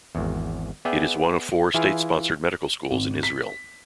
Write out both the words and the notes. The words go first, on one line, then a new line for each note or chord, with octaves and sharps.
It is one of four state-sponsored medical schools in Israel.
G#1 E2
B3 G#4 D5 E5 G5
E3 E4 F4 G#4 F5 G#5
G#1
B6